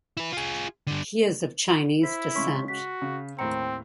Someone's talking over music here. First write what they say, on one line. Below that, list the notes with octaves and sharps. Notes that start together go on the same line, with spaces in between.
He is of Chinese descent.
E4 B4
F4 G#4
G2 D3
E4 C5 B6
C#3 G#3 C#4 C6 C#6 B6
F#4 B6
C#3
D#2 A2 C4 C5 G5 A#5 C#7